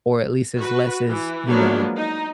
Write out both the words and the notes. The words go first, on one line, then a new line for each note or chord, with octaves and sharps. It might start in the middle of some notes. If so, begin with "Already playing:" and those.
or at least as less as you know,
F#4 B4
E3
F3 F#3 G#3 A#3 B3 D4
D#4